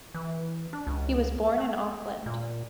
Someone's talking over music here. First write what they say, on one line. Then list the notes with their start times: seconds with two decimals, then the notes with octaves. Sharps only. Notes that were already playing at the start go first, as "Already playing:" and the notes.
He was born in Auckland.
0.14 E3
0.73 D4
0.87 C#2
1.58 A3
2.26 A#2